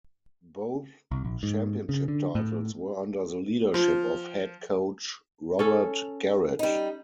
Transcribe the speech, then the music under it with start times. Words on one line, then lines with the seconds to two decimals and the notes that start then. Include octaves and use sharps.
Both Championship titles were under the leadership of Head Coach Robert Garrett.
1.11 C2
1.24 A#1
1.43 G#2
1.89 C#3
2.08 D3
2.35 A2
3.74 F3
5.59 C#4 A4
6.59 G3 D#4